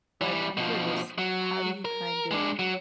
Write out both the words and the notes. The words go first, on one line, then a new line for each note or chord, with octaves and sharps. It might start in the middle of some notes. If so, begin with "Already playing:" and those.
but I'm curious, how do you kind of
E3 G3
B2 F3
F#3
A#4
G#3 D4
F#3